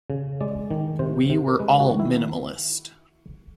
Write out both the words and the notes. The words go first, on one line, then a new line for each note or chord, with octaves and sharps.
We were all minimalist.
C#3
G#3 D5
D#3
C3 C5
C3
A#4
G#3 B4
F#4
D#3
E4